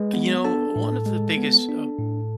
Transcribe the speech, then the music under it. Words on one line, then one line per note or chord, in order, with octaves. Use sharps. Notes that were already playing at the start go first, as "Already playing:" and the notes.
You know, one of the biggest, uh,
Already playing: G#3 B4
B3
D4 A4 A5
A2
G#3
B3
D4
A2